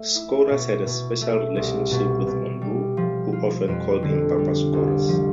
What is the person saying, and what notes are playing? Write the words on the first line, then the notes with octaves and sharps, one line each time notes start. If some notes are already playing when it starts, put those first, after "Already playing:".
Skouras had a special relationship with Monroe, who often called him "Papa Skouras".
Already playing: A3
E4
B2
B2
A3
C2
B2
B2
G3
F3
F4
F2
D3
G3
C2
F3